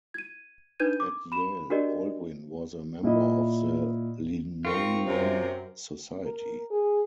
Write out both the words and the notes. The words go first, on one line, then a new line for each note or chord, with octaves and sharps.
At Yale, Baldwin was a member of the Linonian Society.
G#6 D#7
D4 D#4 B4 G6 G#6 D#7
D6
B5 E7
D4 F#4 G4 A#4 D5 D#5
A#2 E4 D#5
C4 F4 A#4 C#6
F#2 C3 A#4
A#4
G#4